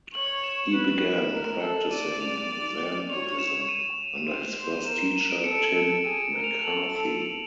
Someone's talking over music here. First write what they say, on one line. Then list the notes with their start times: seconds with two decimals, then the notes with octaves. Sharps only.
He began practicing Zen Buddhism under his first teacher, Tim McCarthy.
0.14 C#5 F#7
0.44 E7
0.73 B4
1.33 A#4
1.62 A4
1.91 D5 D#7
2.21 F7
3.09 C#5 F7
3.39 E7
3.69 D#7
4.28 C5
4.87 A#4 E7
5.16 D#7
5.30 D7
5.44 A4 C#7
5.58 D7
6.05 G#4 D#7
6.34 A#4
6.44 F7
6.63 A4 F#7
6.84 F7
6.93 A4
7.03 F7